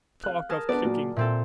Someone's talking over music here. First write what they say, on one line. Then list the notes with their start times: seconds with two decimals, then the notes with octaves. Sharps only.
Talk of kicking!
0.24 F5 F#6
0.49 G#4 A#4 A5
0.69 B3 D4 D5
0.84 A#2 F#3
1.16 A#2 C4 A4 E5